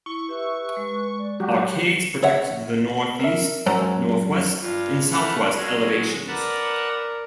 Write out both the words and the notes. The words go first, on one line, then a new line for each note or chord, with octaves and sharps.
Arcades protect the northeast, northwest and southwest elevations.
E4 C#6
G4 B4 E5 E6
G#3
D5
F#3 F#4 G4
C#5 E5 F#5
A#4 E5
F#2 C5 A#5
G#3
G2 F4
A3 C#4 F5 F#5
F#3 G#3
A#4 B4 D5 F#5 A5